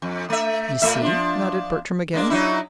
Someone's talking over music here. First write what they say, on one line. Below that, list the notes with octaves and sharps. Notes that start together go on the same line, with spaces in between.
"You see," nodded Bertram again.
F2
A3 E5
A#2 A3 E5
F3 D4
G#3 A#3 D4
F#3 D#4 E4